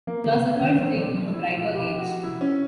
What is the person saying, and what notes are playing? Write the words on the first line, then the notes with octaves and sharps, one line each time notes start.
Philosophers dreamed of a brighter age.
F3 A#3
D3 A#3
B3
C3
C#3
C#4
D#3
E3 C4
F3 D4
F#3
F3 E4
F4
G4
F#4
E4
C#4